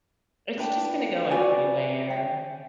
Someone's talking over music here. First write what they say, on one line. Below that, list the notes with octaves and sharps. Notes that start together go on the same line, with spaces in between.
It's just gonna go everywhere.
D4 B4 G5 A5
F#4 B4 D5 G#5
G5